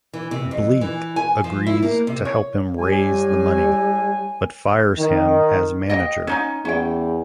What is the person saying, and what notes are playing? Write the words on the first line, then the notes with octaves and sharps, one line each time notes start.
Bleek agrees to help him raise the money, but fires him as manager.
E3
C3
F2
E3
G#5
F3
E4
A#3
C3
C#5
A2 G3 G#5
D#3
D#5 G5
C#4 D#4 G#5
E2 C#4 G5